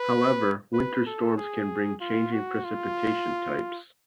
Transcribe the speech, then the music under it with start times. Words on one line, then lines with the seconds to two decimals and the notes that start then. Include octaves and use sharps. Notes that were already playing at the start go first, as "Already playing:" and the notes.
However, winter storms can bring changing precipitation types.
Already playing: B4
0.74 B4
1.06 A4
1.38 G#4
2.01 F4
2.33 F#4
2.65 F4